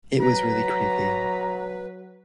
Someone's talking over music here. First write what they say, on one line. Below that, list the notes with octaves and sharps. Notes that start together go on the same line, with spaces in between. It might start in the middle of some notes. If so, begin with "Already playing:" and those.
It was really creepy.
F#3 B4 A#5